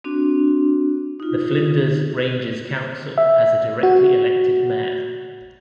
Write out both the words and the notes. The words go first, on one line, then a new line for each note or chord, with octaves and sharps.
The Flinders Ranges Council has a directly-elected mayor.
C4 D4 F#4
D#4 F4
E5
F#4